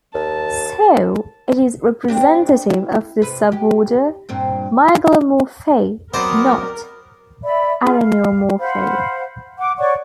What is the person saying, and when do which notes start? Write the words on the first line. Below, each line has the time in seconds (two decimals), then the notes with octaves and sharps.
So it is a representative of the suborder Mygalomorphae, "not" Araneomorphae.
0.14 D#2 A5
2.08 C4 D4 G4
2.70 E4
3.22 C3 B4
3.52 G4
4.29 G2 A#2 C4
6.14 F#3 B3 C4 A#4 C5 D5 D#5
7.44 D5 E5 B5
7.83 F4 G#4
7.99 F5
8.59 C5 F5 F#5 B5
9.59 F#5 D6
9.78 C#5 D5 F#5 C#6